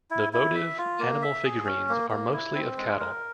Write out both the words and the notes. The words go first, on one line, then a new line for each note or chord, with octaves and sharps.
The votive animal figurines are mostly of cattle.
E4
E4
E5
F4
A#3
E5
G#4
C#4
A#3
A#3
E4
C4
G#3
A#4